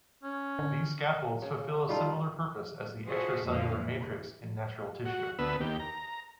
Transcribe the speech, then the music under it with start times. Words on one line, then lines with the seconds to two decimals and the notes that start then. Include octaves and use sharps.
These scaffolds fulfill a similar purpose as the extracellular matrix in natural tissue.
0.23 C#4
0.59 D3
1.42 C#3
1.89 G3 D#4 F4 A4
3.05 F4 F#4 G#4 A4 C5 E5
3.43 F2 A#2 D3 F3 G#3 F5
3.74 E3
5.05 F#4
5.39 D2 B3 B4 E6
5.61 D#2 G4
5.80 A#5